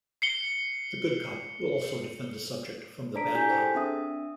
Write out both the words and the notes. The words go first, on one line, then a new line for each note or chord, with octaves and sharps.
The good cop will also defend the subject from the bad cop.
C7 C#7 G7
D4 A4 D5 A#5 B6 D7
E4 G4 G#5 G6 B6
G#4 A4 C5 G5
C4 D4 E5 D#6